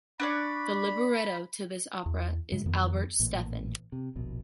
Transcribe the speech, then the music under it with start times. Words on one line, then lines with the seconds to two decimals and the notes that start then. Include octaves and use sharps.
The libretto to this opera is by Albert Steffen.
0.20 D4 C#5 D5 B5
2.06 E2
2.52 G2 C#3 G#3
2.66 F2 D#3 F3 B3
3.20 A1 A#2
3.92 C3
4.15 D1 A#1 B2